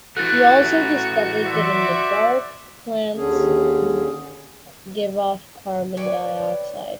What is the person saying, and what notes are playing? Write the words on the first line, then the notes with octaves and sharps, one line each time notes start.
He also discovered that, in the dark, plants give off carbon dioxide.
E3 A3 F#4 F#6 A6
C5 D5 E5
D#2 D3 C#4 G#4
B4 C#5 D5 G5